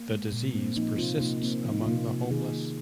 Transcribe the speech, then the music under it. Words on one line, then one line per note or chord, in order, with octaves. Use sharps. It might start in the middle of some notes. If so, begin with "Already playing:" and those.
The disease persists among the homeless.
Already playing: A#3
G#3
A#2
A#3 C4
F3 A#3 D#4
C3 C4 F4
C3 A#3 D#4
A#3 C4
F3
D#4
F4
C3 A#3 D#4
C3
D#3 D#4 G#4
A#3